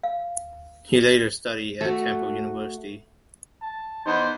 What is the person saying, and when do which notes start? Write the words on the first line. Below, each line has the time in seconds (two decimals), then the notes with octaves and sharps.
He later studied at Temple University.
0.03 F5
1.81 A3 F#4
3.62 A5
4.06 E2 D#4 C5